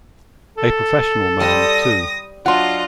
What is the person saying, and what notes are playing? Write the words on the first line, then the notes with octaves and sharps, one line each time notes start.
A professional man, too!
A4
G3 C5 C6 D#6 A#6
F#3 D4 F4 D#5 F#5 C6